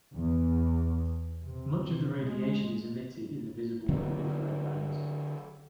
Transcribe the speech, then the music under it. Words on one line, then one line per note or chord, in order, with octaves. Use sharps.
Much of the radiation is emitted in the visible and infrared bands.
E2
C3
G#3
D3 F#3 C#4